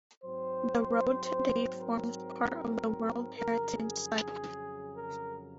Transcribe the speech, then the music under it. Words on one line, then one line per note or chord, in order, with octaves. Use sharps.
The road today forms part of the World Heritage Site.
G#2 F#3 C4 C5
A#4
F2 C#3 F#3 A#4
G#4
A#4